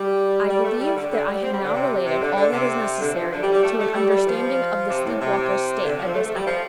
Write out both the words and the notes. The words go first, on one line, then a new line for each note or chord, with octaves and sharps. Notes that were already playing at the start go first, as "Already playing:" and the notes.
I believe that I have now related all that is necessary to an understanding of the sleep-waker's state at this epoch.
Already playing: G3
G3
A3
G3
D3
D3
G3
C4
G3
D3
C3
C3
D3
D3
C3
D3
F3
D3
G3
G3
A3
A3
G3
G3
F3
C3
A2
C3
D3
F3
C4
A3
A3
G3
F3